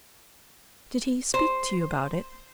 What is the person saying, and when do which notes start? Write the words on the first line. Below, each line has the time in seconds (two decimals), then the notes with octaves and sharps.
Did he speak to you about it?'
1.34 C5